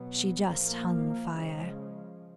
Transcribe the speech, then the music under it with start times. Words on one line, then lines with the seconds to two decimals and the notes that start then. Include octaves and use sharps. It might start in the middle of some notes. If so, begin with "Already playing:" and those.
She just hung fire.
Already playing: B2 F#3 B3
0.45 A#2 F3 A#3
1.35 C#3 F3 G#3